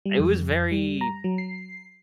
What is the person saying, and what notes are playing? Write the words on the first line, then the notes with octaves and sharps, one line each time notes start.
It was very
G3
F2
G3
A#5
F#3
C7